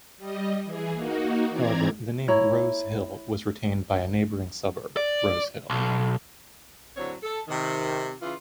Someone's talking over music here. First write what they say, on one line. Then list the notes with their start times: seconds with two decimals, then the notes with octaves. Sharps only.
However, the name "Rose Hill" was retained by a neighbouring suburb, Rose Hill.
0.18 G3 D#5
0.65 E3 G#4
0.94 A#3 D#4 F#4
1.50 E3 C4 D5 A#5 G#6
2.28 E4 C#5 A#5
4.97 D5
5.70 B1
6.96 A2 D3 F#3 C4 C#5
7.23 A4
7.48 C3 D#3
8.21 C#3 E3 F4